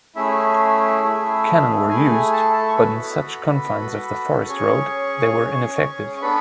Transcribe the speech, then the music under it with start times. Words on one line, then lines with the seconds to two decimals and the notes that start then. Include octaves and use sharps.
Cannon were used, but in such confines of the forest road, they were ineffective.
0.16 A3 C#4 E4 G#4 E5
1.02 A3 E4 G#4
1.89 A3 E4 G#4 G#5
2.10 G#4 G#5
2.32 A4 A5
2.53 A4 A5
2.68 C#6
2.76 B3 F#4 A4 B4 B5
3.62 B3 F#4 A4
4.49 C#4 G#4 C#5 C#6
5.35 C#4 G#4
6.17 C#6
6.22 B3 D4 A4 B4 B5